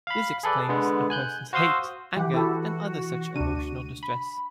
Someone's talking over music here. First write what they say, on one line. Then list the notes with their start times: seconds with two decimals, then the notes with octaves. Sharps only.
This explains a person's hate, anger and other such emotional distress.
0.07 F5 B5
0.43 G#4 A4 B4 D5
0.69 D3 G#3 B3
1.10 G#5 F#6 G6
1.53 F#4 C5 F5 C6 D#6 E6
2.17 E3 G4 F#5
2.34 E4 F#4 G4 A4
3.36 D2 D4 D#7
4.03 B5